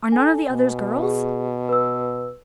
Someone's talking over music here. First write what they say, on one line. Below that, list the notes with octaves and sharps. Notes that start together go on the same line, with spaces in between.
"Are none of the others girls?"
A4 G#5
B2
G#4
B4 E6